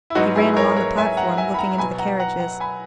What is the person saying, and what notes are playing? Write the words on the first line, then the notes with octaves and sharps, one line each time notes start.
He ran along the platform, looking into the carriages.
E4
G#2 F#3 B3 D#4 F#4
E4 G#4
A#4 C#5
A#4 C#5
E5 G#5
F#5 A#5
E5 G#5
B5
F#5 A#5
A#5
B2 F#3 B3 G#5 B5
F#5 A#5
F#5 A#5
F#5 A#5
G#5 B5